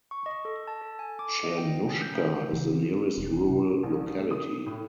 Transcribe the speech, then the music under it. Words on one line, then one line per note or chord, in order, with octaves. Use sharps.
Chernushka is the nearest rural locality.
C#6
D#5
A4
A5
A4
G#5
D6
D#5
G5
C#4
G6
A3
C#3 E3
C4
E1
C3
A#1
A3
D#6
A2